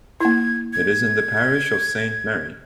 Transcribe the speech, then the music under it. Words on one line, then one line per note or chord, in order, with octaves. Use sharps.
It is in the parish of Saint Mary.
A#3 E4 G#6
G#6